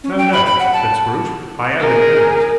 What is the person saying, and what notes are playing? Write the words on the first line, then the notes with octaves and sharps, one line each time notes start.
'No, no,' said Scrooge. 'I am in earnest.
C#4
G5
B5
B5
F#5
A5
G#4 A#4